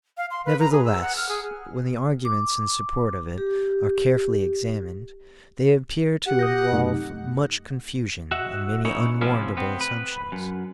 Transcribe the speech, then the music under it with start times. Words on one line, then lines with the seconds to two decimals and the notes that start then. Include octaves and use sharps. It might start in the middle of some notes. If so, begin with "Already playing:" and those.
Nevertheless, when the arguments in support of it are carefully examined, they appear to involve much confusion and many unwarrantable assumptions.
0.17 F5
0.31 C6
0.45 B4
0.60 A#5
0.72 G#4
0.85 E6
1.02 F#5
1.17 F6
1.29 G#4
2.25 D6
3.38 G4
6.26 G4 F#5
6.39 D#6 G6 A#6
6.72 F#2 C3 A3 D#4
8.31 F#4 D#5 E5 F#5
8.85 C#4 D#4 E4 C#5
9.21 A2 C3 F3 C#4 E4 F4
9.57 B3 C4
9.81 B4
10.32 F#2